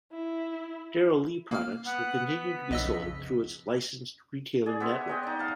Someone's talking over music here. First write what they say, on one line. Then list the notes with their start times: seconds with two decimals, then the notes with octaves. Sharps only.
Darrell Lea products will continue to be sold through its licensed retailer network.
0.12 E4
1.51 A#3 F6
1.86 B3 F#5
2.28 B6
2.70 B1 F2 C#3 D#5 E6
4.66 G#4 D5
4.80 B3 E5 C6
5.08 B4 D#5 G5
5.23 D#4 D5
5.39 F5 A5